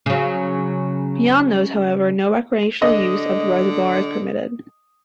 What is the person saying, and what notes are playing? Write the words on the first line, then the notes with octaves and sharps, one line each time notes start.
Beyond those, however, no recreational use of the reservoir is permitted.
C#3 F#3
D3 D#5